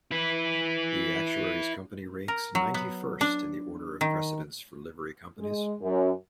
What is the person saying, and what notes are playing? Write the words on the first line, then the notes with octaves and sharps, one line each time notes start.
The Actuaries' Company ranks ninety-first in the order of precedence for Livery Companies.
E4 B4
A#4
F#3
B3
D4
D#3
G#3
F#2